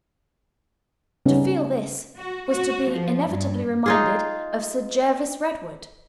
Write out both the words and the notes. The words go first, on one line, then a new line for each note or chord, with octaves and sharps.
To feel this was to be inevitably reminded of Sir Jervis Redwood.
C#3 G3 B3 C#4 D#4
F#4
F#4
F3
G2
D#4 F4 G#4